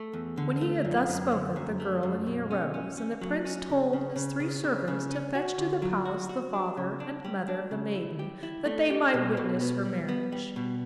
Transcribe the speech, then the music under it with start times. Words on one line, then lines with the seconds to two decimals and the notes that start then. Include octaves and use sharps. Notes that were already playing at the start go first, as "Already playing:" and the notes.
When he had thus spoken the girl and he arose, and the Prince told his three servants to fetch to the palace the Father and Mother of the Maiden, that they might witness her marriage.
Already playing: A3
0.13 E2
0.38 D3
0.61 A3
0.85 F#2
1.09 F#2
1.32 D3
1.56 F#2
1.80 A3
2.03 F#2
2.26 B2
2.51 C#4
2.74 C#4
2.97 C#4
3.21 F#3
3.45 C#4
3.69 C#3
3.93 C#3
4.16 C#3
4.40 C#3
4.64 C#3
4.88 C#3
5.11 C#4
5.35 F#4
5.58 D3
5.82 F#3
6.05 F#4
6.29 F#4
6.53 D4
6.77 C#3
7.00 D4
7.25 G3
7.48 D4
7.71 C#3
7.95 E4
8.19 G4
8.43 E4
8.66 A3
8.90 G4
9.14 B2
9.37 B2
9.61 B3
9.85 G3
10.09 B3
10.32 G3
10.56 B2